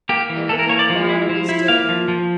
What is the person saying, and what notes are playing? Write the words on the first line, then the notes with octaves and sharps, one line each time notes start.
Everything about it is dead.
A#3 G4
E3
E3 A4
A#4
A#3 C#5
D5
F3
E4
F3
E4
A#3 F5
F3
F3